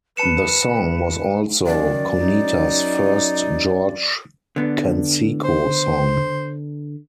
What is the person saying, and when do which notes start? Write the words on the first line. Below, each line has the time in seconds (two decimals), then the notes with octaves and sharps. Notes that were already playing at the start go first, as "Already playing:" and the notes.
The song was also Cuneta's first George Canseco song.
0.17 B4 A5 C#7 E7
1.66 F#2 D#3 D5
2.17 D#4
4.56 D3 B3 D4
5.45 C5